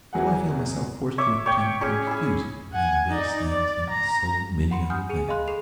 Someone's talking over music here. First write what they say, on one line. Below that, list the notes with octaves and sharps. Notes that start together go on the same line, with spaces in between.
So I feel myself forced to attempt to excuse him in this as in so many other things.
E2 E3 F#3 G#4 F#5
C#5 E5 D6
C#5 G5
C#4 G#4 G#5 C#6
E4 G#4
F#5 G#5
D#4 D5
D5
A#5
F#5 B5 C6 C#7
F#5 G#5 D#6 F6 G6
G#4 G#5 F7
G#4 D#5 F5 B5 C6 F#6
G#4 A4 C7 F7